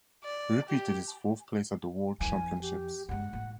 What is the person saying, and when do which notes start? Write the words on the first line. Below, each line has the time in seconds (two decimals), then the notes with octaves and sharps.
He repeated his fourth place at the World championships.
0.24 D5
0.69 G4
2.21 F2 E3 G#5
2.62 G4
3.09 G2 G#3 F#5
3.33 A1